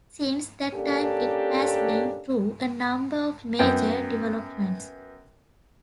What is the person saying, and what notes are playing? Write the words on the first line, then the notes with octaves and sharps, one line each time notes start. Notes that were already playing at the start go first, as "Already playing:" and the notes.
Since that time it has been through a number of major developments.
A#3 C#4 D4 G4 A4
F#2 B3 G5